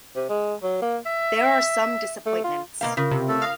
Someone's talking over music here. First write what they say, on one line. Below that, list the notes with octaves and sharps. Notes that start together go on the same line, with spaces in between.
There are some disappointments.
C3
G#3
F#3
A#3
E5
A3
F4
B2 A#3 F5
C#3 F4 A#4 D#6
C3
A3 A4
F5 D#6 A#6